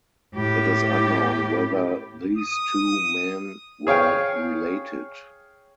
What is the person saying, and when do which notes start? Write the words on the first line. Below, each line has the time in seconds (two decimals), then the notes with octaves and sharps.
It is unknown whether these two men were related.
0.35 A2 G4
2.37 D#6
3.87 G#4 C#5 F5 G5